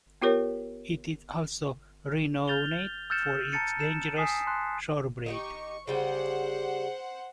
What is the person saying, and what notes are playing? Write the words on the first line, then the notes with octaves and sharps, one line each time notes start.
It is also renowned for its dangerous shorebreak.
B3 F4 G4 A#4 C#5
F6 G6 A6 F7 G7
E6 F6 G6 A6 C#7 E7
A5 A#5 A6 C#7 D#7
E7
G#5 D#6 B6 C7 E7
A5 C6 F#6
D#4 F#4 G4 C#6
C#3 G3 G4 C5 F#5